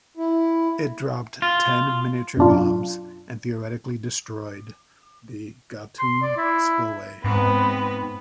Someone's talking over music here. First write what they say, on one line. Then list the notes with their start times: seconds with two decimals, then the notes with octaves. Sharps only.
It dropped ten miniature bombs and theoretically "destroyed" the Gatun spillway.
0.17 E4
1.42 F4
2.37 F#2 B2 D4 F4
5.99 C6
6.22 D5
6.37 E4
7.24 G#2 G#3 B3 C4 B4